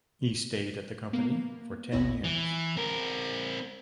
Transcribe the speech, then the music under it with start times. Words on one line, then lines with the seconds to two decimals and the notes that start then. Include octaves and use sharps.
He stayed at the company for ten years.
1.13 A#3 B3
1.91 A1 D#2 B3 E4 C#5 A#6
2.24 E3
2.77 C4 A#4